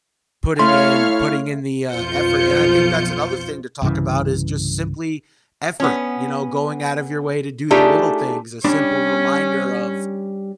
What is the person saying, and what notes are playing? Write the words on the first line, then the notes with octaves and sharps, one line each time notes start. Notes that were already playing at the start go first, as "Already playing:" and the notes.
putting in putting in the, uh, effort, and I think that's another thing to talk about is just simply effort; you know, going out of your way to do the little things, a simple reminder of,
A3 E4 C#5 F5 C6 F6
B1 F2 F4 C5 G6 C#7
C2 G2 C#3 E3
B3 C#4
A3 D4 D#4 F4 G4 G#4
G3 C#4 D4 B5